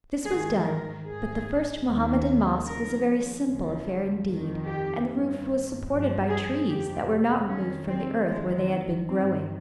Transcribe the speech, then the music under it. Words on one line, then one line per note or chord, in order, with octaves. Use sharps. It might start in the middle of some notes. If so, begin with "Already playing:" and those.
This was done, but the first Mohammedan mosque was a very simple affair indeed and the roof was supported by trees that were not removed from the earth where they had been growing.
G#2 D#3 G#4
A#4
G#2 D#3 G#4
D#2 D#3
D#2 C#3 F3 A#4
D#2 C#3 F3
F2 D#3
G4
D#3
G2
G2 F3
G#4
F2 C3 F3 G4
F2 D#3 C#4
C4
F2 D#3 G#3
G2 D#3 C4